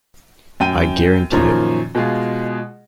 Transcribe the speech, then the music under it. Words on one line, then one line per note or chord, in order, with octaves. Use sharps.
I guarantee it.
F#2 G5 D#7
F#2 A#2 D#3 F3 C#4 A#5
B2 G#3 F4 G#4